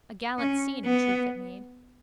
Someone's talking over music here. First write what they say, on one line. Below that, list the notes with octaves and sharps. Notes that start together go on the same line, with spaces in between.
A gallant scene in truth it made.
C#4
B3